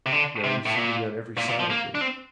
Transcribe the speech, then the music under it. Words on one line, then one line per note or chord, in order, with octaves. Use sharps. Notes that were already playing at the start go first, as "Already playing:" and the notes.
"No; you seem to be on every side of me."
C3
D3
C3
A2
A#2
A#2
A#2
F3
A#3
D4
C4